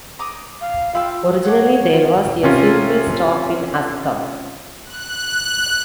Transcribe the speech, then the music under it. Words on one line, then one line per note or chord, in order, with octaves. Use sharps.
Originally, there was a simple stop in Askam.
A#5 D6 D#6
F5
F4 F5 G5 B5 E6
C#5 F#5 D6
F4
C3 C#4 F4
F#6